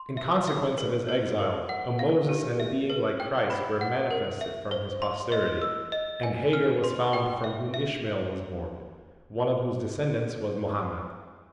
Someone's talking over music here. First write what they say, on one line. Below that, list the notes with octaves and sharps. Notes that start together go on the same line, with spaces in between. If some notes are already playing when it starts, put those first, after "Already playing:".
In consequence of His exile a Moses and a being like Christ were manifested from His posterity, and Hagar was found from whom Ishmael was born, one of whose descendants was Muhammad.
Already playing: C6
E5
E5
B4
B4
A#4
F#5
F5
G4
E5
B4
G5
B5
F#5
A#4
E5
C5
C6
D#5
E6
D#5
G#5
F6
C6
G5
E5
E5